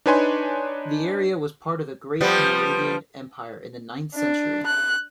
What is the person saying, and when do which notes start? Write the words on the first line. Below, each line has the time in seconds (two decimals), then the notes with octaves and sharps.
The area was part of the Great Moravian empire in the ninth century.
0.06 D4 D#4 B4 C#5 G#5 C6
2.21 F3 G3 B3
4.16 D4
4.67 F#6